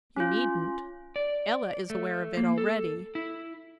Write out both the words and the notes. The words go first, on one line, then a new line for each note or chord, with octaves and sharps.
"You needn't--Ella is aware of it already."
C#4 F4
D5
A3
A#3
A4
E4